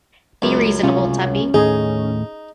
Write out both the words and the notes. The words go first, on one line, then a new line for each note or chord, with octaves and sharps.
Be reasonable, Tuppy.
C#2 F#2
C2 C#4 F4
D#2 A2 D#4 G#4